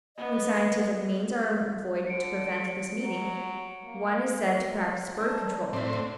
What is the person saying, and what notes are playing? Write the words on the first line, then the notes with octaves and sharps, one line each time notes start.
When scientific means are employed to prevent this meeting, one is said to practice birth control.
B3 D#5
D3 C#7 D7
F#3
A#3
D4 D#4
A2 C4 E4 D5
D3